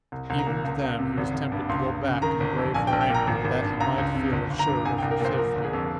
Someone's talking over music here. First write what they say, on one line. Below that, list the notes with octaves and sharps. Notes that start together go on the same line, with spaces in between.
Even then he was tempted to go back and brave her anger that he might feel assured of her safety.
C2
C2
A#5
A#2
C#2
C#2
C3
G#1
G#1
G2
C#2 C6
C#2
C#3
D#3 A#5
G1
F2
A#1 G#5
G5
A#1
G5
A#2
A#5
G#1
G#1
G2
C#2 A#5
C#2
C3
G1
G1
A#5
G2
C2 G#5
G5
C2
A#4
A#2 C5
F3 A#4
G1
G#4
F2